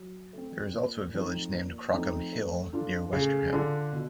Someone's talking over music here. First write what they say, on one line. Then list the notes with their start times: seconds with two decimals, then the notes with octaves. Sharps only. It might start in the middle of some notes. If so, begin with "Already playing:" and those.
There is also a village named Crockham Hill near Westerham.
Already playing: F#3
0.33 A3 C4
0.73 A#2
1.14 F3 A3 C4 D#4
1.52 A#2
1.93 F3 A3 C4 D#4
2.33 A3
2.73 D4 F4 A4
3.13 C#3 A3
3.53 D3 D4 F4 A4
3.93 B2